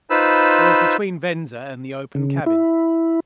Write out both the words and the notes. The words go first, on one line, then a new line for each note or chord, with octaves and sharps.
I was between Venza and the open cabin.
D#4 F4 B4 C5 B5 E6
C#3
E4